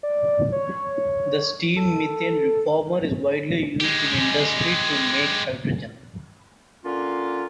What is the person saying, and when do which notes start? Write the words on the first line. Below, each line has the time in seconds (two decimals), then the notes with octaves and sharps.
The steam methane reformer is widely used in industry to make hydrogen.
0.03 D5
0.52 C#5
1.76 A4
3.81 G#3 G4
6.84 D3 A#3 C#4 F4